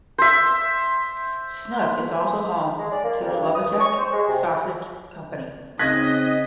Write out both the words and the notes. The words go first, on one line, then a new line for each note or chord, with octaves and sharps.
Snook is also home to Slovacek Sausage Company.
C5 E5
G#3
D5
A#3
F2
G2
D#6
C#6
C5
G#3
C3
C#3 C4 D#4 D#5 F#6 G#6 A#6 B6